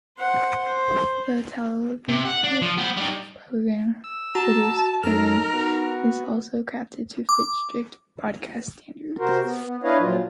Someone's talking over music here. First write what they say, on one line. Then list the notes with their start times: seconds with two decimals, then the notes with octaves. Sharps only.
The Televisa produced programming is also crafted to fit strict broadcast standards.
0.18 C5 F#5
0.66 C5
2.08 C3
2.25 F#5
2.44 D4
2.62 F3
2.78 B3 C5
2.97 G3 D#4
4.04 E6
4.35 F#4 A5 A#5
5.03 F#2 D#4 A4 A#4 F6
5.53 B3 F#4
7.29 D6
9.19 C3 F#4 A#4 C5
9.43 B3
9.64 B3
9.83 D4 E4 B4 C#5 D#5 F5
9.99 A#2 F3 F#3 F4